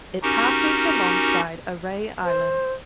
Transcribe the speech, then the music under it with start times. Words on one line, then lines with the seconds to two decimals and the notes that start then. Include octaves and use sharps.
It passes alongside Arey Island.
0.23 C#4 D#4 F#4 G4 A#4
2.24 C5